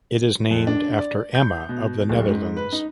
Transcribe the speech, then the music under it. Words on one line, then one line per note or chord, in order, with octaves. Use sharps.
It is named after Emma of the Netherlands.
F2
D4
D5
G6
B2
D1
G#2
B4
D#4